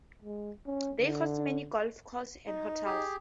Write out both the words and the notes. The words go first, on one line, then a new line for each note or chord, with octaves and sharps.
They host many golf course and hotels.
G#3
C#4
D3
D#4
G4 G#4